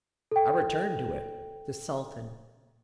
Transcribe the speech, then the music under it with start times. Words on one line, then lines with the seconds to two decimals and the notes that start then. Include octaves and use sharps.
I returned to it--the Sultan.
0.32 A4 G5